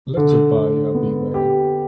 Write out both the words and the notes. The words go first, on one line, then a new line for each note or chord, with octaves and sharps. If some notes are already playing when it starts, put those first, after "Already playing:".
Let the buyer beware.
D3
D3
B3
G4